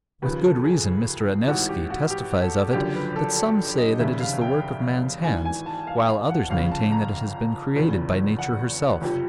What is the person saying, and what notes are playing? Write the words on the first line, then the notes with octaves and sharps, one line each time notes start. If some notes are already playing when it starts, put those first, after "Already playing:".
With good reason Mr. Anaevsky testifies of it that some say that it is the work of man's hands, while others maintain that it has been created by nature herself.
D#2 C#3 F3 B4
A4
G#4
A1 G#2 E3 F#4
G4
F#4
G4
A4
F#1 F#2 D3 F3 G4
B4
A4
A4
D#5
F1 D#2 C#3 E5
F5
G5
G#1 G#2 E3 G#5
G#5
A5
F5
F5
F#5
G1 F2 C#3 F5
A5
A#5
F1 E2 C#3 F3
F#5
F#1 F2 C3 F3